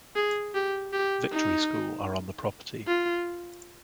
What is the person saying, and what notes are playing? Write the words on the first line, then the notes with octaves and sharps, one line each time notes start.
Victory School are on the property.
G#4
G4
G4
D#4
F4